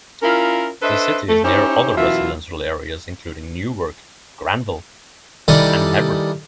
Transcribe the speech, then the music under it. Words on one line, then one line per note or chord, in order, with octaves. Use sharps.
The city is near other residential areas including Newark, Granville, and Hebron.
C#4 E4 F4 A#4
D4 A4 B4 C5 D#5 E5
A3
C#4 D#4 E4 G4 C5 C#5
F#2 B2 E3 F4 E5
D#3 E3 G3 A4 D5 D#5